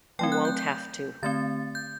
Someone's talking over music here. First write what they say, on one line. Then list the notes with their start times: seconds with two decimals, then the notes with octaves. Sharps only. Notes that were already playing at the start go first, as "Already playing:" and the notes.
You won't have to.
0.19 F#3 A3 C4 G5
0.32 F#6
0.45 G6
0.58 G6
1.23 D3 A3 C4 A6
1.75 G6